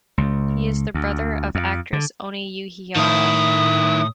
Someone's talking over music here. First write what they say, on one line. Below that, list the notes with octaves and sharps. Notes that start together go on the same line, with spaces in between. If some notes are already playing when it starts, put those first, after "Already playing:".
He is the brother of actress Ony Uhiara.
C#2
D2
F2
D3
A2 D#3 E4 D#6